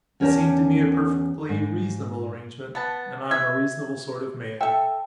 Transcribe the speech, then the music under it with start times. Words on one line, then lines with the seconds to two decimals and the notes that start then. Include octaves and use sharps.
It seemed to me a perfectly reasonable arrangement and I am a reasonable sort of man.
0.20 E2 C#4 G4 A#4 C#5 A5
1.49 G#2
2.75 B3 A5
3.31 E5 G#6
4.61 A4 E5 G5